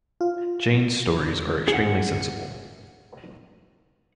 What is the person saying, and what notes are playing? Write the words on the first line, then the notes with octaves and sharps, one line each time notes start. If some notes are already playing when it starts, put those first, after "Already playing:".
Jane’s stories are extremely sensible.
F4
G#4 F#5